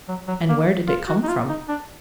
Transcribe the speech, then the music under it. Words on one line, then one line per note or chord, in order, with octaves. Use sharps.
"And where did it come from?"
F#3
F#3
A#3
F4
F#4
D#4
F4
D#4
D4